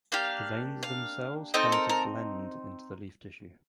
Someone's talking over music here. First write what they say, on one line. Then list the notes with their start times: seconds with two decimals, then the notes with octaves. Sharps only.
The veins themselves tend to blend into the leaf tissue.
0.12 A#3 D4 G4 F5
0.83 F5
1.54 C4 D#4 A4 D#5
1.72 A#4
1.89 A#4